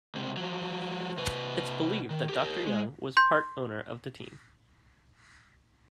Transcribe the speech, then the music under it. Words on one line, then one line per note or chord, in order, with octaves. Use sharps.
It's believed that Doctor Young was part owner of the team.
C#2 C3
F3 F#3
C3 B4
D#3
G4 A#4
G#3
C6 G6